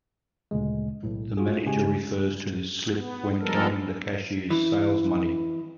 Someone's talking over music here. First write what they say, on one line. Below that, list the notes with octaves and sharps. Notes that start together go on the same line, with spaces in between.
The manager refers to this slip when counting the cashier's sales money.
D2 A#2 C#3 G#3
B1 A2
F4 F#4 G#4
C#3 G#3 G4 G#5
B3
F3 G3 G#3 B3 A4 A#4
E3